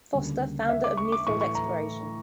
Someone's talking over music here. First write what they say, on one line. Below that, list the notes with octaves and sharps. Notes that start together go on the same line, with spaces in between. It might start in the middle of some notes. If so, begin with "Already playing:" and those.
Foster, founder of Newfield Exploration.
D2 C#3 G3 A#3
E5
D6
C#6
D6
A2 E3 A3 C#6
C#6
A#5